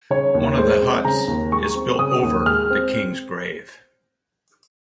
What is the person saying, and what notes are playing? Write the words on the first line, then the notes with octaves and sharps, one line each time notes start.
One of the huts is built over the king's grave.
C#3 C#5
D#2
G#3 C5
C4
C#3 A#5
D#2
G#3 C#6
C4
C#3 D#6
D#2
G#3 F6
C4